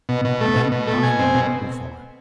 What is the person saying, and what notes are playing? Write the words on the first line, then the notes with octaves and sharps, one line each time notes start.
And then I know what will follow.
B2
B2
A3
B2
B2
A3
B2 G#5
C4
B2